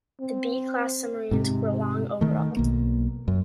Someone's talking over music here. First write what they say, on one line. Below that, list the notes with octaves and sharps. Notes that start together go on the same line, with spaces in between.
The B-class submarines were long overall.
C4
G#2 C3
D#3 A3
B1 A#3
F#2